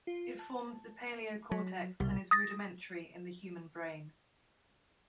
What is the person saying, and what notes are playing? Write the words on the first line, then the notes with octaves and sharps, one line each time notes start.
It forms the paleocortex and is rudimentary in the human brain.
F4
A5
F#3 B6
C2 B2 G3
D#6 A6 A#6